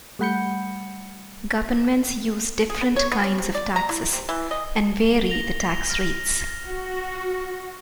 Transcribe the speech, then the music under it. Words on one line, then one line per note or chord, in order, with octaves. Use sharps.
Governments use different kinds of taxes and vary the tax rates.
G3 A3 F#5 B5 G6 C#7
G#4
B3
C#5
B3
C#4
C3
D5
A#5
E4
C3
E3
D#5
A#6 F7 G7
F6 A#6
F#4